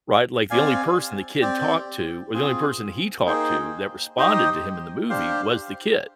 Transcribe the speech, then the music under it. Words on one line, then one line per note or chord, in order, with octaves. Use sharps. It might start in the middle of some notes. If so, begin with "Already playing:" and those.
right? Like, the only person the kid talked to or the only person he talked to that responded to him in the movie was the kid.
C4 G4 D5 F5 G#5
C4 G4 D5 G5
C4 F4 G#4
A#3 D#4 G#4 C5 G5
D#4 G4 C5 D#5 G5
D4 G4 C5 F5